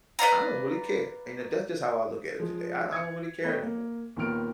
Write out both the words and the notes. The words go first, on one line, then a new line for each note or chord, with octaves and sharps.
I don't really care, and that's just how I look at it today. I I don't really care anymore,
B4 D5 F5 A#5
F3 G#3
G#6 C#7
A3 B3 B4 C#5 D#5 G5
A#3
D#2 A#2 D#3 B3 F6 D7